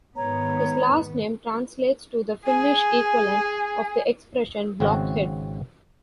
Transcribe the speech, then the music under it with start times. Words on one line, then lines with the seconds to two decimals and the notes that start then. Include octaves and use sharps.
His last name translates to the Finnish equivalent of the expression "blockhead".
0.16 G#2 D#3 B3 C#5 A#5
2.47 G#4 G#5
4.80 G#1 C#3 C4 F#4